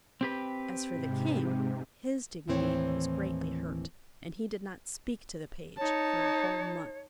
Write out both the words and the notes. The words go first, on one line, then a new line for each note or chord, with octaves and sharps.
As for the king, his dignity was greatly hurt, and he did not speak to the page for a whole month.
C4 G4 B4
G#2 C3
D#2 A2 E3 C4 C5 C#5
D#4 C#5 A5